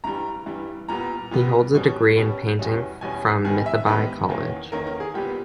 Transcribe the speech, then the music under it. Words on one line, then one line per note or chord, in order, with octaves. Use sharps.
He holds a degree in painting from Mithibai College.
G2 E3 G3 A#5
G2 E3 G3
A#2 G3 B3 A#5
A#2 G3 B3
B2 G3 C#4
B2 G3 C#4
E2 B2 G3 C#4
E2 B2 G3 C#4 G#5
G#2 D#3 G3 B3 G#5
E5
G#2 D#3 G3 B3
E2 D#3 A#3 C#4
E2 D#3 A#3 C#4 A#4
A#4
G#4
A#2 G3 B3 G4